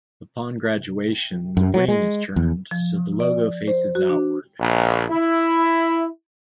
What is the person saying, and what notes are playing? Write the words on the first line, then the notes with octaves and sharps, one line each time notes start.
Upon graduation, the ring is turned so the logo faces outward.
F#2
F#3
G#3
E2
F3
D5
C5
F#4
D4
A#1
E4